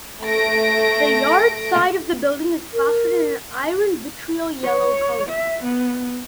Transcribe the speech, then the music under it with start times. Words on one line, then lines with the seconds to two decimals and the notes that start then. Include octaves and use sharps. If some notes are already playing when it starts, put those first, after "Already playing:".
The yard side of the building is plastered in an iron vitriol yellow color.
0.23 A3 A#6 D7
2.74 A#4
4.64 C#5
5.29 E5
5.63 B3